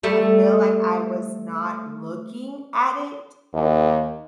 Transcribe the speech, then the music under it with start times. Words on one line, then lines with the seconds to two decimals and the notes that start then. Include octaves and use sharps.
I feel like I was not looking at it
0.03 G3 A3
3.53 D#2